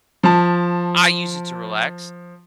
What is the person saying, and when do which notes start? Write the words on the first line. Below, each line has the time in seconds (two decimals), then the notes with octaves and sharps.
I use it to relax.
0.23 F3 A5